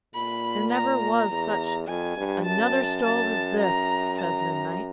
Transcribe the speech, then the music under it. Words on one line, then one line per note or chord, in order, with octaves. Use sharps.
"There never was such another stove as this," says Midnight.
A#2 B5
A#5
E2
F2 G#5
G2
F#2 A5
F#2 A5
A#5
A#5